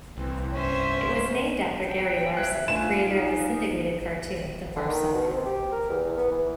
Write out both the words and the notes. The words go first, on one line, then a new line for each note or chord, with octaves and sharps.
It was named after Gary Larson, creator of the syndicated cartoon The Far Side.
C2 C3 E3 C4
G2 C#4 C5 E5
G5
E5 F#6 G#6 B6
A3 D4 F4 G#5 E7
D#4
D3
D#3
B2
C4
G4
A#4
E2
B3
E3